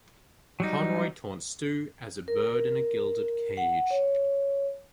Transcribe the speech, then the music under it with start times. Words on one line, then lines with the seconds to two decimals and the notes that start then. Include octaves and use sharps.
Conroy taunts Stew as a bird in a gilded cage.
0.60 F#3 G3 D#4
2.28 A#4
3.57 F#5
3.91 C#5